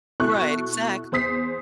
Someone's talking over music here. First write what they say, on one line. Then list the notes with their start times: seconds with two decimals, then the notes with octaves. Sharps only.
Right, exactly.
0.20 B2 E4 A4 C#6 F#6
1.12 E2 C5 D#6 B6 C7